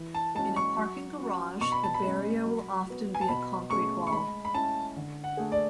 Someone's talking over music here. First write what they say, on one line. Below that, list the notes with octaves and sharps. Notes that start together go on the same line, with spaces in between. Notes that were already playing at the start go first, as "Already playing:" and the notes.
In a parking garage, the barrier will often be a concrete wall.
Already playing: E3
A5
G#3 C#4 F#4 A5
C#6
F#3
C#4 F#4
B2 C#6
B5
A5
B5
G#3 C#4
F#3
B3 F#4
G#5
A5
B2 B5
A3 C#4 G#4 C#6
C#6
G#3 B5
B5
C#4 E4 A5
D3
F#5
A3 D4 G#4
D5